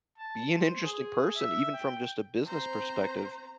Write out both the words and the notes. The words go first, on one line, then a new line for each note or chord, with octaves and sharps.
be an interesting person even from just a business perspective,
A5
C5
G#4
E5
G5
C4 C5 A#5